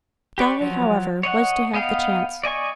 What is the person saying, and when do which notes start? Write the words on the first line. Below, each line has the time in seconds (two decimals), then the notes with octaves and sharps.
Dolly, however, was to have the chance.
0.38 G4 B4 D5 C#6
0.61 F3 F#3
1.23 C#5 D#5 F#5
1.74 B3 D#5 F5 G5
2.44 D5 D#5 G#5 C#6